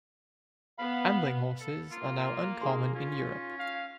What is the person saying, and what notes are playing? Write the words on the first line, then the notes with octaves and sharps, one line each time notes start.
Ambling horses are now uncommon in Europe.
B3 F5 B5
A4
A#3 F4
D#4 G#4 C6
C#4 F4
F5